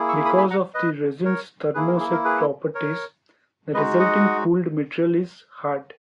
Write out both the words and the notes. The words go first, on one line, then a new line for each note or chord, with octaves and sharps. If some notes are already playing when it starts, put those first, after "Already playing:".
Because of the resin's thermoset properties the resulting cooled material is hard.
Already playing: A#3 E4 G#4
C#6 E6
B5 D#6
G#5 B5
F#5 A#5
B4 D#5
A#4 C#5
A#3 E4 G#4 B4
A#4
G#4
A#4
G#4 B4
A#4 C#5
G#3 D#4 F#4 B4 D#5
D#5 F#5